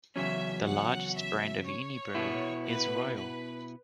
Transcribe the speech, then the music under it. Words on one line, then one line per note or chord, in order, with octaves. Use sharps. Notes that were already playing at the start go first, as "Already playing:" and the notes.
The largest brand of Unibrew is Royal.
E2 C#3 F#3 C#4 E5
F#5
E5
C#5
B2 B3 E4
B4
B4